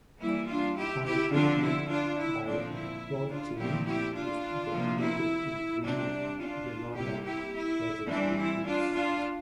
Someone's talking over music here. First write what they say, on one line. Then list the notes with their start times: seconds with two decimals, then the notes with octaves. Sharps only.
Her recruitment by Wovschin is documented in three Venona project decrypts.
0.20 E3 G3 A#3 E4
0.48 D4 F4
0.76 E4 G4
1.04 E4 G4
1.32 D3 F3 C4 D4 F4
1.61 E4
1.89 D4 F4
2.17 E4
2.45 A#2 F3 C4 D4
2.73 E4
3.30 D4 F4
3.58 A#2 F3 A3 C4 E4 G4
3.86 E4 G4
4.15 D4 F4
4.71 C3 F3 A#3
4.99 E4
5.84 C3 G3 C4 D4
6.40 D4 F4
6.96 C3 G3 A#3 E4 G4
7.25 E4 G4
7.54 E4
8.09 E3 G3 C4 D4
8.38 E4
8.66 D4 F4
8.94 D4 F4